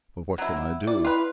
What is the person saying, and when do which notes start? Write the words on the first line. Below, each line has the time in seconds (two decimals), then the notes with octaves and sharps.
But what can I do?
0.38 F#3 E4
0.87 E4 D5
1.05 F4 B4